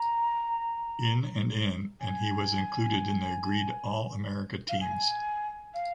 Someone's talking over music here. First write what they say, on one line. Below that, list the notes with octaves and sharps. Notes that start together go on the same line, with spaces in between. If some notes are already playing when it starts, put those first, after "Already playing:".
In and in and he was included in the agreed All-America teams.
Already playing: A#5
G#5
F5
G#5
F5